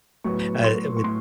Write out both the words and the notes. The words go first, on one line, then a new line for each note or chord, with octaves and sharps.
uh, with
A2 F#3 B3 C#6
C6
C#6
A2 C6